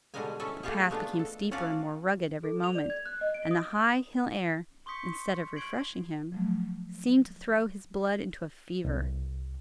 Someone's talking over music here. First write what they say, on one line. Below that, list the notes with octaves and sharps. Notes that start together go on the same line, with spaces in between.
The path became steeper and more rugged every moment; and the high hill air, instead of refreshing him, seemed to throw his blood into a fever.
B2 D3 G3 G#3 A#4 G#5
C#4 E4 A4 E5 G#5
A3 A#3 F4 G4 G#4
G#3 A3 B3 D4 F4
A4
C#4 D4 F4 F#4 D5 F5
A4
F7
D5
G#6
F#6
D#5
D7
D#6
C6 C#6 D#6 G6 B6 C#7
C#6 G#6 C7 D7 F#7
F3 F#3 A3
C2